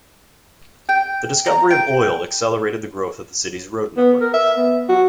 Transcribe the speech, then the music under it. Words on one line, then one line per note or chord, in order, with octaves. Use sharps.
The discovery of oil accelerated the growth of the city's road network.
G5
A#5
G5
B3
A#4
E5
B3
F#4